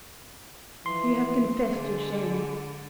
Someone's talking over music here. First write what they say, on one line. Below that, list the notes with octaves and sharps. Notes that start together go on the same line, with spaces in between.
You have confessed your shame.
E3 F3 C6
D3 G#3